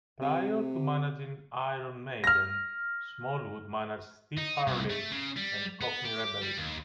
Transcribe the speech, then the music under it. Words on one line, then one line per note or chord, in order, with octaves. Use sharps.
Prior to managing Iron Maiden, Smallwood managed Steve Harley and Cockney Rebel.
C3
F6 A#6
D#4
C2
A3
C#3
G3
B3
G4
G3
D#2